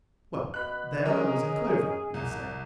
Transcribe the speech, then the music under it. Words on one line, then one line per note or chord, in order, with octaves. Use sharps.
Well, there I was in clover, you will say.
B2 B5 F#6
C#4 G#4 A#4 D#5
C2